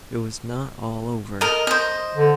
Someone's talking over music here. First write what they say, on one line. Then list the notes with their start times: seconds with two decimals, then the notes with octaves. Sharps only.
It was not all over.
1.41 A#4 D#5
1.67 C5 D#5
2.15 D3